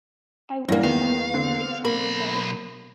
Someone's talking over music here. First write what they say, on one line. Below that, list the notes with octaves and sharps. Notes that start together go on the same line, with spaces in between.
I wish some one would write to me so!
E2 G2 E3 A#3 A#6
D#3 B3 F5
D3 C4
B1 A#3 B5